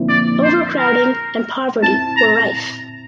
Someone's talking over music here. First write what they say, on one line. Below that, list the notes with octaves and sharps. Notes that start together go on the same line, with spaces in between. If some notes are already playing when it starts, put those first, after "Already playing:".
Overcrowding and poverty were rife.
Already playing: D3 F3 A#3 C4 D4 E4
D5
C5
A#4
C4 E4 A5
A#5